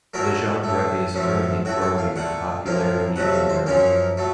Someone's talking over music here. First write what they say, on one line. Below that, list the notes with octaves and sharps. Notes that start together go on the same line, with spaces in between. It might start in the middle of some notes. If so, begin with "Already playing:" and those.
The genre is currently growing in popularity in Europe.
A#2 F#3 A3 A#4
A3
A2
F#2 F3 A3
A2 A3 F#4
A4
F5
A#2 A3 F#5
A2 F3 A#3 F5
F2 C3 F#3 A3 F#5
F5
C5
F#2 F3 A#3 C#4
F#3 A3